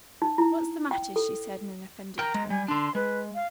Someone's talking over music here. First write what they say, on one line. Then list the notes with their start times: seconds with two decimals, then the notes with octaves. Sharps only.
"What's the matter?" she said in an offended tone.
0.22 D#4
0.38 E4
0.91 G5
1.16 A4
2.19 A#4 G5 A#5
2.34 G#3
2.50 G3 G#5
2.68 D3 D4 C6
2.95 G#3 B4
3.35 F5